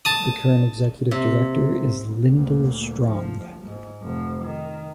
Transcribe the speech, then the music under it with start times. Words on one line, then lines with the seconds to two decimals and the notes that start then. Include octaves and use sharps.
The current Executive Director is Lyndel Strong.
0.05 A5 D#6
1.11 C3
2.26 D2 A#2
3.09 F3
3.64 G#2
4.02 F1 F3
4.43 D#3